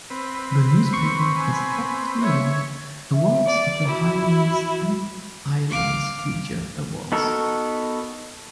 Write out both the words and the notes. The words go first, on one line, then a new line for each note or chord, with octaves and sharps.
The newspaper has often won awards at the Highlands and Islands Media Awards.
C4 B4
C6 C#6
G#5
C#5 E5
E5
D5
E4 F#4
F5 D6
B3 D#4 F#4 A4 A#4